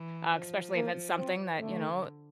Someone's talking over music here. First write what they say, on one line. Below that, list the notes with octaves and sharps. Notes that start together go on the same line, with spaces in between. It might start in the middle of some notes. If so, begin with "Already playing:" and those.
uh, especially if it's something that, you know,
Already playing: E3
F3
A#3
C4
D3 A3